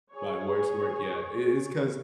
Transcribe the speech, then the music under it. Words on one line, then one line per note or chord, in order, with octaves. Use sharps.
My worst work yet, i it's 'cause
G#4 C#5